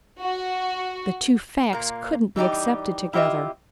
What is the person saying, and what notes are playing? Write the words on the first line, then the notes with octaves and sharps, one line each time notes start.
The two facts couldn't be accepted together.
F#4
A#2 A#3
E3 G3 D#4 G4
E4 F4 G4 D#5 E5